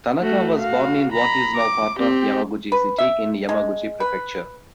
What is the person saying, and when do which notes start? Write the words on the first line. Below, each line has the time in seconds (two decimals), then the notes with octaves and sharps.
Tanaka was born in what is now part of Yamaguchi city, in Yamaguchi Prefecture.
0.23 A3 F#4
0.59 F#4 F5
1.12 A#5 B5
1.57 D6
1.98 C4 G4
2.72 B4
2.98 E5
3.49 G#3
4.00 B4